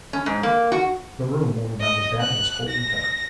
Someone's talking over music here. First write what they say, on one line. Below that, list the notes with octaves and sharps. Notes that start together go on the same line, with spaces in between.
The room, over by the bed, was wholly dark.
C#4
G#2
A#3
F#4
D#5
F#6
A#6